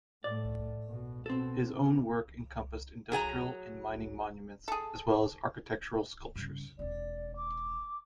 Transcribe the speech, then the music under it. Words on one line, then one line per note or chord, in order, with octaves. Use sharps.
His own work encompassed industrial and mining monuments as well as architectural sculptures.
A2 A3 D5
B2
B2 C4 A4
C3
F#3 G#4 G5 A#5
G#4 A4
G2 C#3
E1 C4 D5
D6